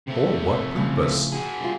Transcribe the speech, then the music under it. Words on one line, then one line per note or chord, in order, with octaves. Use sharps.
"For what purpose?"
C3 A3
A2 C#3 F3
F#4 G#4
G3 F4